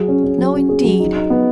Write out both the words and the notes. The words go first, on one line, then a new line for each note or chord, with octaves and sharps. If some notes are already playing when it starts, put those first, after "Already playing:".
No, indeed!
Already playing: F#3 G#4
C#4
C#4
F#3
C#4
G#4
F#3
D#4
D#4
B3